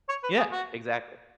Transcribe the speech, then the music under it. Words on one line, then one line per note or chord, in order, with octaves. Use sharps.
Yeah. Exactly.
C#5
B4
G#4
F#4